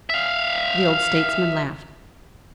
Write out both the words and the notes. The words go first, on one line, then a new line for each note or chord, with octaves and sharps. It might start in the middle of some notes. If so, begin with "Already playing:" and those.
The old statesman laughed.
E5 F5